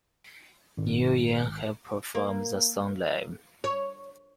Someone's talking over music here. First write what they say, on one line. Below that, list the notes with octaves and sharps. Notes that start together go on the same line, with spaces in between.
Neil Young has performed the song live.
G#1
A#3
C#5